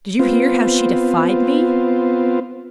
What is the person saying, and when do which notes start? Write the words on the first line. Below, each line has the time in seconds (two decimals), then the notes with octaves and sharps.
Did you hear how she defied me?
0.19 B3 C4 F4